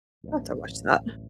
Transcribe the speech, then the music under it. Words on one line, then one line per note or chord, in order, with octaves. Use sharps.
I'll have to watch that.
D1 A1